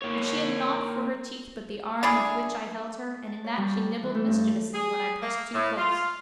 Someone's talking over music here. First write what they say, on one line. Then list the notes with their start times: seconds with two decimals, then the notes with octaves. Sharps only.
But she had nought for her teeth but the arm with which I held her and in that she nibbled mischievously when I pressed too close.
0.02 A#3 C#5
2.03 D3 D4 E4 G#4
3.27 A5
3.44 C#5
3.57 G3
3.76 A4
4.02 E3
4.15 A3
4.27 G2
4.40 A4
4.74 G#4
5.22 A#3
5.54 A2
5.78 F4